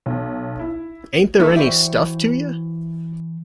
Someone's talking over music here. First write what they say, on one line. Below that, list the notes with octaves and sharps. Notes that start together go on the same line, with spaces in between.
Ain't there any stuff to you?
B1
E4
A3 A#3 D#4 E4 A4 B4
E3 F#4 C5 D5 E5 G5